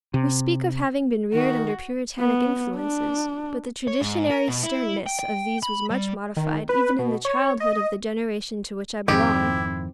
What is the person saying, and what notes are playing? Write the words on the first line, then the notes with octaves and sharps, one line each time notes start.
We speak of having been reared under Puritanic influences, but the traditionary sternness of these was much modified, even in the childhood of the generation to which I belong.
C3
D#3 F#4
B3
D4
C#5
G#2
A#4
B2
E4
G5
G5
B5
G3
D#3
B4
B2
C#5
D#5
F2 G#2 D#3 C4 E4 G4